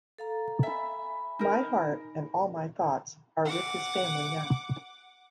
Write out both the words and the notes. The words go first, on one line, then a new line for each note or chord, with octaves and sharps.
My heart and all my thoughts are with his family now.
A4 F5 A#5
E5 G#5 B5
D#4 A#4
F#5 D6